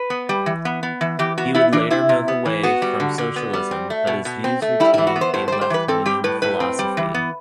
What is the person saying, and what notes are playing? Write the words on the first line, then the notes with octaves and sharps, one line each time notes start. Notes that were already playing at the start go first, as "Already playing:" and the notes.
He would later move away from socialism, but his views retained a left-leaning philosophy.
Already playing: B4
B3
G3
E3
B3
B3
E3
E3 G4
B3 F#4
B3 E4
E3 D4
C3 E4
C3
B3
E3
B3 F#4
G3
D3
D3
B3
G3
C4
A3
B2
B2
C4
A3
G3 E4
E3 E4
F#4
B3
C5
A2 C5
C5
G3
C5
E3 B4
C4 A4
G3 G4
A2 B4
A2 B4
C4
G3
E3
B3